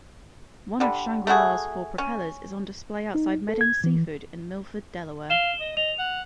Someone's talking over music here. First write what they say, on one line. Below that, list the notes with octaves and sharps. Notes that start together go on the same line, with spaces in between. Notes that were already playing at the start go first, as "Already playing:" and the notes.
One of "Shangri-La"s four propellers is on display outside Meding's Seafood in Milford, Delaware.
D3 G3
A3 E4 F#4 G#4
C#4
D#4
A4
G#6
E3
F5 E7 G7
D#5
D#5 F7
F#5